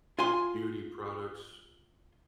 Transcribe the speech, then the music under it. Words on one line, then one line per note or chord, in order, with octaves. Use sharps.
beauty products,
F4 G#5 C6